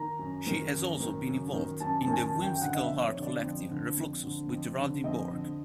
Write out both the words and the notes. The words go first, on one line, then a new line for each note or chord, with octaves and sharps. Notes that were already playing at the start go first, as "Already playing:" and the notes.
She has also been involved in the whimsical art collective Refluxus with Geraldine Burke.
Already playing: D#3 A#5
F#2
D#3
F#2
D#3
F#2
D#3
F#2 A5
A5
D#3
G#5
A5
F#2
G5
G5
D3 F#5
D#5
E5
F2
C#5
D3
D5
F2
D3
F2
D3
F2
D3
F2 D#5
D3